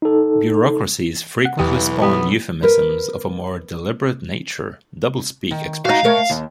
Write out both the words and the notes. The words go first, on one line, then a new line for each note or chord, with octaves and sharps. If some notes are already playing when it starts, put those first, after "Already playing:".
Bureaucracies frequently spawn euphemisms of a more deliberate nature, "doublespeak" expressions.
D#4 A4
F#5
B1 E2 E3 G4 D#6
B3 G4
A#4 B4
D#3
D#4 F#4 F5
A3 A#4 C#5
D#2